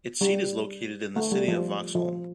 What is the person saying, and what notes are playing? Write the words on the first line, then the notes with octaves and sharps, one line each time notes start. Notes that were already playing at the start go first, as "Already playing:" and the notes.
Its seat is located in the city of Vaxholm.
G3
A3
G3
F3
F3